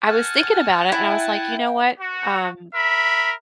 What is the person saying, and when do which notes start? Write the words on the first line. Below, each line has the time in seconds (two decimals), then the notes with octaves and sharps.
I was thinking about it, and I was like, "You know what, um,
0.07 F#5 G#5 A5 F6
0.92 E4 G5
1.99 F#4
2.73 A#4 E5 B5